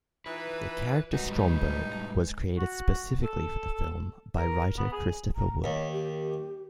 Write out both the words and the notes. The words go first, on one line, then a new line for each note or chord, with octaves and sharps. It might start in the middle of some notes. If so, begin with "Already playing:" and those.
The character Stromberg was created specifically for the film by writer Christopher Wood.
E3 D#4 F4 B4 A#5
G2 G#3 D#4 F#4 B4
A2 G3
F#4
A4
A#4
B3
G#4
A#5
D#2 C#5
G4